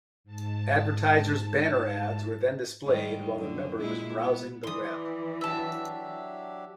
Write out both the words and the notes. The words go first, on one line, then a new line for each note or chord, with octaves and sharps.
Advertisers' banner ads were then displayed while the member was browsing the web.
G#2 A5
G#2 D#3 G3
F#2 D3
A#2 G#3 E4
B3
E3 D5 C6 D#6
F#3 D4 G4 E5 A5